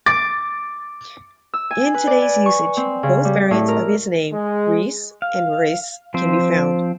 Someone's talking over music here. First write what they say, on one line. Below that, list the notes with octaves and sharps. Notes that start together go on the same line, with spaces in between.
In today's usage, both variants of his name, "Ries" and "Riese" can be found.
D6 A6
E6
G#5
B4
D5
G#5
C#6
C4
C#3
G3
A2
A#4
G#3
F5
F3 C4 C5